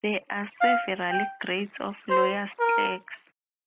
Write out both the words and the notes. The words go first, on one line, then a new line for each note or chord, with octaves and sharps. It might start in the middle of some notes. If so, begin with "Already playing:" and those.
There are several grades of lawyers’ clerks.
F5
G5
C5
A#4